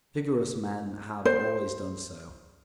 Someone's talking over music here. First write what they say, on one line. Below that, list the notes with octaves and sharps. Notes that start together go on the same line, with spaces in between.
Vigorous men have always done so.
C5